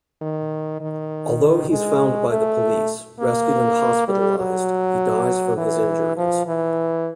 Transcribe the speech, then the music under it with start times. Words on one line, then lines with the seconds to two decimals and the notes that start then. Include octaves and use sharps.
Although he's found by the police, rescued and hospitalized, he dies from his injuries.
0.22 D#3
0.81 D#3
1.71 G#3
2.30 A3
3.20 A#3
4.08 G3
4.38 F#3
5.57 E3
6.17 F3
6.47 E3